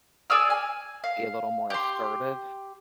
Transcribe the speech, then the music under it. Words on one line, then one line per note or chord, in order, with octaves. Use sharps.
Be a little more assertive
G#4 D5 E6 F6
G#5
F5
G4 C6